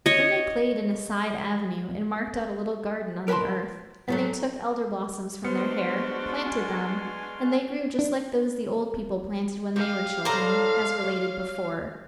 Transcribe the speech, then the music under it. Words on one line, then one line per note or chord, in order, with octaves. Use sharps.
Then they played in a side avenue, and marked out a little garden on the earth; and they took Elder-blossoms from their hair, planted them, and they grew just like those the old people planted when they were children, as related before.
C#5 D#5
A#4 B4 G#5 A5 C6
G#2 F#3 A3
G#3 B3 D4 F#4 C5 C6 F6 C#7
G#5
D4
G4 F5
A2 A4 C5 D5 A#5
C#5